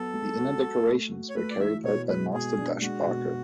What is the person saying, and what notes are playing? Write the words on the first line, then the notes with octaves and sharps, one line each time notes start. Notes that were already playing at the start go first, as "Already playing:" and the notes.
The inner decorations were carried out by Master Dush Barka.
Already playing: F#3 B3 A4
G#3
F#4
F#4
A3
F#4
C#5
A3 B4
D5
E3 E5
B2 C#5
G#3 B4
B2 G#4
D4
G#3 F#4
B2